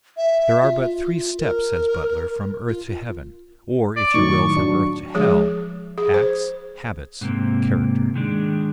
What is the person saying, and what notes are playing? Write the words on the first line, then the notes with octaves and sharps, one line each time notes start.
There are but three steps, says Butler, from earth to heaven, or, if you will, from earth to hell--acts, habits, character.
E5
F4
A#4
F4
D5
A2 D#3 F#3 C#6
F#3 D4
F3 G#3 G#4
G#4
C5
G#2 C3 A#3
D#3 G#3 D4